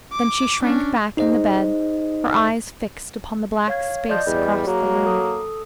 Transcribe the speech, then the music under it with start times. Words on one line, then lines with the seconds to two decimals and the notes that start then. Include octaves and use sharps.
Then she shrank back in the bed, her eyes fixed upon the black space across the room.
0.12 D6
0.62 C#4 D4
1.17 D#4 G#4 C5 D#5
3.68 C#5 F5 G#6
4.09 F3 D5 D#5 G6
4.27 E2 G3
4.67 F#3 A#3 G#4
5.06 A4 D#6